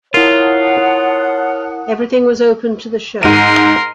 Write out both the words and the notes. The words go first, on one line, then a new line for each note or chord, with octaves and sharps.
Everything was open to the show.
E4 F4 A#4 C#5 F#5 A5 D#6
G#2 A#4 C6 D#7